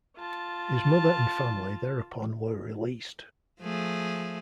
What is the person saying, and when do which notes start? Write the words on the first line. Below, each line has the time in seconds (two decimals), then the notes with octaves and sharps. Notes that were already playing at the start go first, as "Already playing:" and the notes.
His mother and family thereupon were released.
0.17 F4 A5
3.60 F3 A3 G#4